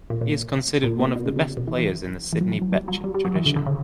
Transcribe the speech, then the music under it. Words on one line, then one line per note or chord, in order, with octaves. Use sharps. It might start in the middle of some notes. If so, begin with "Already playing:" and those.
He is considered one of the best players in the Sidney Bechet tradition.
A#2
A#2
A#2
B2
B2
C#3
C#3
B2
E3
E3
E3
F#3
E3
F#3
G3
F#3
G3
G3
F#3
E3
D3
D3
C#3